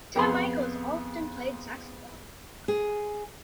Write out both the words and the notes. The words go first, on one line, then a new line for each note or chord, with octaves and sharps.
Dan Michaels often played saxophone.
F2 B3 G#4 B5 C6
G#4